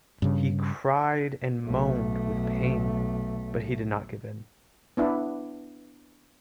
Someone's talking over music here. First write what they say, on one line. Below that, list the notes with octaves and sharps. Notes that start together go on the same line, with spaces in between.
He cried and moaned with pain, but he did not give in.
G2 C#3
B1 A3
B3 D4 E4